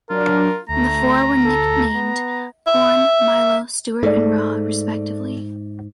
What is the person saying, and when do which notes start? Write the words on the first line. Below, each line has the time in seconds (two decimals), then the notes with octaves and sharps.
The four were nicknamed "Corn", "Milo", "Stuart", and "Raw", respectively.
0.10 F#3 D4 F4 A#4
0.69 D2 A3 A#5
1.45 A4
1.94 B3
2.67 E5
4.03 G#2 A3 D5